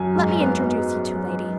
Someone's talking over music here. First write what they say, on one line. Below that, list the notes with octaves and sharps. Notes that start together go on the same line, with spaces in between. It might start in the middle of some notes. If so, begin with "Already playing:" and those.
Let me introduce you two ladies.
Already playing: F#2 G#5
G#2
B3